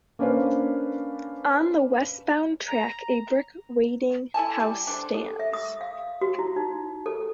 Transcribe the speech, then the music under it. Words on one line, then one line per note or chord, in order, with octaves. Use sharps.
On the westbound track a brick waiting house stands.
A#3 C#4 D4 B4 C5 F5
A#5
E4 A4 G#5 A5
G3
D4 A4 C5
A4
E5
D#6
F5
F#4
E4
D#4
A4